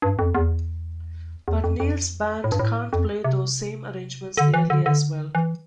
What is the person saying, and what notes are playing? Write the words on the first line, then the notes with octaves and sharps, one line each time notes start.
But Neal's band can't play those same arrangements nearly as well.
G2
F2
E2
E2
F2
F2
A2
G2
A2
F2
C3
D3
E3
D3
D3
E3